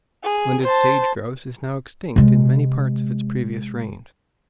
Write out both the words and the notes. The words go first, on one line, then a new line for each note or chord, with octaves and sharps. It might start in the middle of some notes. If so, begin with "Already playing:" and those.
The splendid sage grouse is now extinct in many parts of its previous range.
G#4
C5 A5
C3 G#3